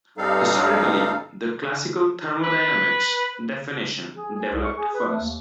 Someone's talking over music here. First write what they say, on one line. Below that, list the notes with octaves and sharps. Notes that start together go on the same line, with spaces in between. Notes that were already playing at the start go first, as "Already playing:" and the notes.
Historically, the classical thermodynamics definition developed first.
G2 G3 C4 D#4 A4 F5
B4
G#4
G#4
C2
C#6
G#4
B4
A3
D#2